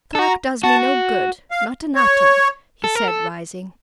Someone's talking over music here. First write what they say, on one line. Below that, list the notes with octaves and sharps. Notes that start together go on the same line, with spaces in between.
"Clarke does me no good--not an atom," he said, rising.
A4
F#4 A#5
F#4 A5
F5
C#5
A4
A#4
A4